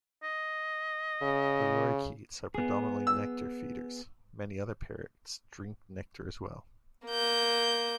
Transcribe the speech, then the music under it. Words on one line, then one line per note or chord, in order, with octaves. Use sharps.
The lorikeets are predominantly nectar feeders; many other parrots drink nectar, as well.
D#5
C#3
B3 G#4
E6
A#3 G6